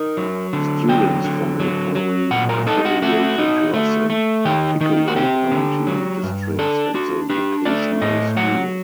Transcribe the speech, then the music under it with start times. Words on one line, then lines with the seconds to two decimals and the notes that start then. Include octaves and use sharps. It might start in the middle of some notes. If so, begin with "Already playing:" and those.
Students from the following affiliated Ross and Pickaway county districts at the vocational school.
Already playing: D#4 A#4
0.17 F#3
0.53 D3
0.89 F#3 G5
1.24 D3
1.60 F#3
1.95 F#3
2.31 A#2 F#5
2.49 A#4
2.67 D#4 A4
2.85 F#4
3.02 A3 F#4
3.38 D#4
3.74 A3
4.10 A3
4.45 D#3 G4
4.81 D#3 D#4
5.08 F#4
5.16 C4 G4
5.52 D3
5.87 F#3
6.23 G2
6.59 D4 A4
6.94 D4 F#4
7.30 D4 G4
7.65 A3 D5
8.02 A2 D#5
8.37 F#3 F#5